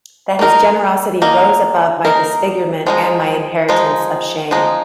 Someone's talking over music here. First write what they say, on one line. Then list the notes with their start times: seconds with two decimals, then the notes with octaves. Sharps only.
That his generosity rose above my disfigurement and my inheritance of shame.
0.39 A#3 D#4 A#4
1.22 A#3 D#4 A#4
2.05 A#3 D#4 A#4
2.87 F3 G#3 D#4
3.69 F3 G#3 D#4
4.51 F3 G#3 D#4